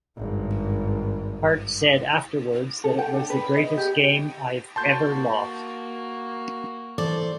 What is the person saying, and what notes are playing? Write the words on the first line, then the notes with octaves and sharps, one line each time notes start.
Part said afterwards that it was "the greatest game I've ever lost!".
G#1 G2
A4
G5
D4
B4
D#5
G4
A#3 F#4 A5 C6 G6
E3 A4 C5 D5